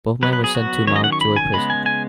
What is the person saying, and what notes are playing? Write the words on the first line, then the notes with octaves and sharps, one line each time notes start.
Both men were sent to Mountjoy Prison.
F#3 B3 B4
B4
G#4
F#4
D#3 F#3 C#4 C#5
D#5
F#5
C#6
B5
G#5
C#3 G#3 B3 B5
G#5
G#5